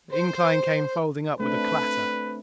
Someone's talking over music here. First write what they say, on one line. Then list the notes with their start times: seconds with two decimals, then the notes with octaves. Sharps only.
The incline came folding up with a clatter.
0.11 C5
1.40 A3 C4 D4 B4